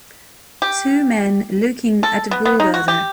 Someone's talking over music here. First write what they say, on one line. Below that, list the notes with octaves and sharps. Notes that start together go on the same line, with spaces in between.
Two men looking at a bulldozer.
G4
A4
B3
B3
D#4
F#4
G4